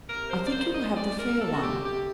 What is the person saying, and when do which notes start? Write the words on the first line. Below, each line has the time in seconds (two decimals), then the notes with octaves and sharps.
I think you will have the fair one.
0.07 C3 A#4
0.30 C5
0.47 D5
0.52 G3 A#3 D#4 C5
0.74 D#5
0.96 F#2 D5
1.19 A#4
1.41 D3 F#3 A4
1.52 F#4
1.63 G4
1.85 C3 G4